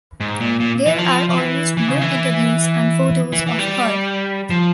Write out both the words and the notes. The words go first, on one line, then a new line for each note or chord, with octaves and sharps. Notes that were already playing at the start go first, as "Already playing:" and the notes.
There are almost no interviews and photos of her.
G#2
A#2
A#2
E3
F3
F3
E3
E3
C#3
E3
E3
E3
G3
F3